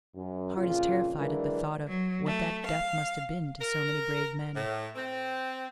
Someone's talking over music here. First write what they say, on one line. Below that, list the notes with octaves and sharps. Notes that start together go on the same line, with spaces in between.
The heart is terrified at the thought of what that death must have been to so many brave men.
F#2
F2 A#2 C#3 F4
D3 E3 F#3 G#3 D4 A#4
F#3
A3
F5
A#4
A2
C4